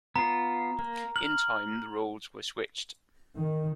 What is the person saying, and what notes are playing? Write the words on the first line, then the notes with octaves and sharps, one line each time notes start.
In time, the roles were switched.
B3 F4 A#5
A#3
F6 F#7
D#3